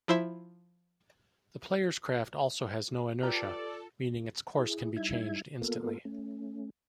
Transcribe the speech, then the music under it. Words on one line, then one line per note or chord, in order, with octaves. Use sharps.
The player's craft also has no inertia, meaning its course can be changed instantly.
F3 E4 C5 E5
F4 G4 A4 B4 D5 A#5
E4 G#4
G3 D#4 E4 E5 G#6
A#3 B3 F4 A4 A#4
A3 C#4